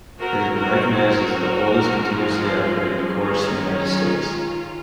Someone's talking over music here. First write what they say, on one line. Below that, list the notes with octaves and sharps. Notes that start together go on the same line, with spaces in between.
It has been recognized as the oldest continuously operated course in the United States.
F#3 C4 F#4 A#4
F#4 A#4
F#4 A#4
F3 G#3 C4
D#3 G#3 C#4 F4 G#4
F4